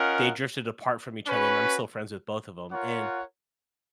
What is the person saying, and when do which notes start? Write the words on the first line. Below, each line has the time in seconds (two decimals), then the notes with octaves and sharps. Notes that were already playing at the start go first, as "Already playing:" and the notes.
they drifted apart from each other and I'm still friends with both of 'em, and
Already playing: C#4 F4 A#4 D#5 F#5
1.26 C#4 F#4 B4
2.72 F4 A#4 C#5 F#5